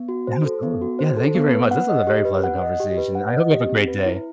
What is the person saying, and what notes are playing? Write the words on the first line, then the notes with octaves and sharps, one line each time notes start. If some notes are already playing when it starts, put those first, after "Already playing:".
Yeah, absolutely. Yeah, thank you very much- this was a very pleasant conversation- I hope you have a great day.
Already playing: B3
F#4
C5
A4
B3
F#4
C5
A4
B3
B4
F#5
D#5
G4
B4
F#5
D#5
G4
B4
F#5
D#5
G4
C4
B4
E4